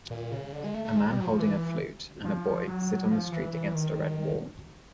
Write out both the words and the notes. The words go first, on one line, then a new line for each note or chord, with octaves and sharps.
A man holding a flute and a boy sit on a street against a red wall.
A#2
C#3
D3
G#3
A3
A3
G#3
G3
F#3
F3
E3
F3
F#3
F3
E3
E3
D#3